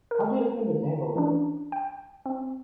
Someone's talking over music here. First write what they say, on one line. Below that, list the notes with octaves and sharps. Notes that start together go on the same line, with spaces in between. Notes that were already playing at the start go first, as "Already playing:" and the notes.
How do you think the table looks?
A#4
E3 C#4 D4
G5
C4